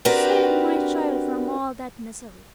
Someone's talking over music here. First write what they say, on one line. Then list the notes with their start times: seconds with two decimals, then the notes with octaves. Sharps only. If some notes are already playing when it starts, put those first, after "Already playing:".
Save my child from all that misery!
0.05 C4 D4 F#4 G4 A#4 B4